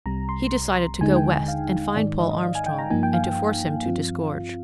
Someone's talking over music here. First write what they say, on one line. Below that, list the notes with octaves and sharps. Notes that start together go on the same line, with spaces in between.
He decided to go west and find Paul Armstrong, and to force him to disgorge.
C2 C3 G3 A#5
C6
D#2 D3 G#3 D#4 G#5
G5
G5
F5
G#2 D#3 G#3 D#4 D5
D#5
D#5
F5
G#5
G5
A#5
G2 F3 A#3 D#4 G#5
G5
F5
G2 F3 C4 F4